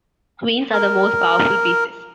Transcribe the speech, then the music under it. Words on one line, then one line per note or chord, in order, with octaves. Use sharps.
Queens are the most powerful pieces.
A#4